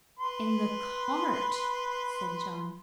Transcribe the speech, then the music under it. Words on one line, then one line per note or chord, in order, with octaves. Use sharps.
"In the cart," said John.
B4 C6